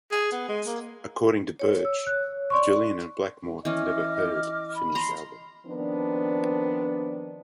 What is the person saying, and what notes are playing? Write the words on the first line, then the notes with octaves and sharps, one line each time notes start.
According to Birch, Gillan and Blackmore have never heard the finished album.
G#4
B3
G#3
A#3
C#5
E6
F#6
D5 C6 C#6
E3 C#4 D#5 D6 F6
B5
A#5 C6
D#3 F3 B3 C4 D4